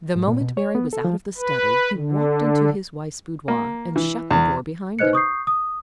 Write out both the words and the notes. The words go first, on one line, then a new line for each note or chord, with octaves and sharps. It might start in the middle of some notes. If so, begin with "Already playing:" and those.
The moment Mary was out of the study, he walked into his wife's boudoir, and shut the door behind him.
G#2
A#2
B2
C#5
B3
A4
F3
B4
D3
A#3
E3
E2
D#4 B4 C5 D#5 F#6 C#7
C#6 D#6 G6 C7
D#6